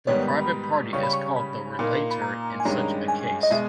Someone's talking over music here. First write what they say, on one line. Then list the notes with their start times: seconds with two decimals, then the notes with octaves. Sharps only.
The private party is called the "relator" in such a case.
0.07 G#2 D#3 G3 B3 C#5
0.28 B5
0.93 C#3 G3 C#4 C#6
1.03 B5
1.13 C#6
1.36 B5
1.79 A#2 A#3 D#4
2.11 B5
2.22 A#5
2.60 G#5
2.65 G2 D#3 G#3 C#4 G4 A#5
3.08 G#5
3.43 D#5
3.51 B2 G#3 E5